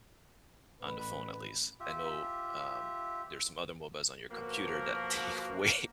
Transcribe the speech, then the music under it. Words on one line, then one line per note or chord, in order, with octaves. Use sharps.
on the phone at least, I know, um, there's some other MOBAs on your computer that take way
A1 B4
F4 G4 E5
B2 F3 A#3 F#4 A#4